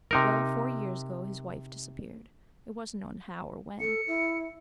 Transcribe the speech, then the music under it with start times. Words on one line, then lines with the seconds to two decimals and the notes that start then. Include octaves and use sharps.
Well, four years ago his wife disappeared--it wasn't known how or when.
0.11 C3 D#4 A#4
3.80 A4 C#7
4.07 E4